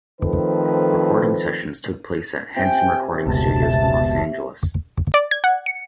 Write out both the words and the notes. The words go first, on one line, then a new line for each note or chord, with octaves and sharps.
Recording sessions took place at Henson Recording Studios in Los Angeles.
D#3 F3 A3 C4 A4 B4
C3 G5 G#5
F1 C#2 B2 A5
E5
D5
G#6
F#5
C#7